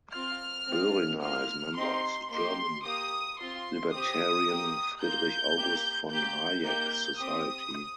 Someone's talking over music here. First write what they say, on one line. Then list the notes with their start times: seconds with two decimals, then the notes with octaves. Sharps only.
Boehringer is member of the German libertarian Friedrich August von Hayek society.
0.13 C4 F4 F6
0.68 C4 F4
1.22 A#3 F4 F6
1.76 C4 D#4 G4 C6
2.30 A#3 D#4 G4 C6
2.85 A#3 G4 D#6
3.39 C4 F4 C6
3.93 C4 G4 D#6
4.47 A#3 G4
5.01 A#3 F4 G6
5.56 A#3 G4
6.10 A#3 G4 G6
6.64 A#3 D#4 G4 G6
7.18 C4 G4 D#6